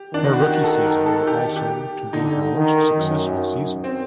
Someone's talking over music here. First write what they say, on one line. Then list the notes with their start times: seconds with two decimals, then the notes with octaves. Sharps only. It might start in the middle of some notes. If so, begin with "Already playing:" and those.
Her rookie season were also to be her most successful season.
Already playing: G4
0.13 D#3 D4
0.24 D#4
0.33 F#4
0.41 G4
0.64 A4
0.85 A#4
1.06 A4
1.27 G4
1.56 G4
2.13 D3 D#4
2.56 D#3
2.98 F#2
3.84 C4